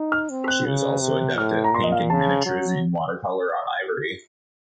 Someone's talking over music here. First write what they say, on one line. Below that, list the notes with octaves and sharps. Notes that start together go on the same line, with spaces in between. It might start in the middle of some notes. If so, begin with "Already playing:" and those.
She was also adept at painting miniatures in watercolor on ivory.
Already playing: D#4
F6
C4
F#6
C#3
C3
A2 F6
A#5
A#2 C6
D#5
F5
C#3 A5
F#3